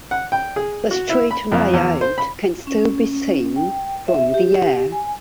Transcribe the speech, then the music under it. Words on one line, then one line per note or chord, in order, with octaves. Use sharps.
The street layout can still be seen from the air.
F#5
G5
G#4
F#4
E4
B5
F2
E2
C5
B5
C#4
G5
E5
G4
G#5